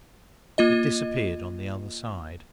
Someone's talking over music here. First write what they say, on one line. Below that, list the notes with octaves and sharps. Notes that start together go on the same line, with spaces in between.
It disappeared on the other side.
A#3 F4 D#5